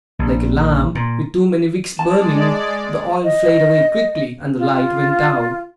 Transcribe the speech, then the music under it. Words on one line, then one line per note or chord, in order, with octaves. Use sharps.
Like a lamp with too many wicks burning, the oil flared away quickly, and the light went out.
A#1
A#2
G#3 D5 A5
D#5
F4